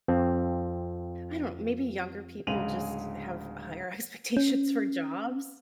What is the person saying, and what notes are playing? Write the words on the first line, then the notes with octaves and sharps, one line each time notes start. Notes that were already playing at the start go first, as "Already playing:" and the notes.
I don't maybe younger people just have higher expectations for jobs.
F2 C4
D1 C#3 G#3 D#7 F7 F#7
C#4